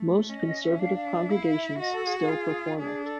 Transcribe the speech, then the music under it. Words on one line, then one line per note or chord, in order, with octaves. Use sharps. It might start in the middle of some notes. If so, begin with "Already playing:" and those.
Most Conservative congregations still perform it.
Already playing: A3
C#4 D#5
D#5
E5
D4 F5
F5
E5
E4 F5
E5
F#4 D#5
A4
G#4
G#4
F4
D4 G#4
A4